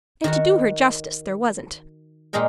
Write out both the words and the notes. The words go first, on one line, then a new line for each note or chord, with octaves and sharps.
And, to do her justice, there wasn't.
D#3 F#4
A#2 G#3 D#4 A#4 G5